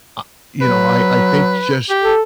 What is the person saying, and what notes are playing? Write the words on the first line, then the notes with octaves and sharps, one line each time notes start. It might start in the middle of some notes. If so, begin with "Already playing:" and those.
Ah you know, I I think just
F#3 B4
G4
A4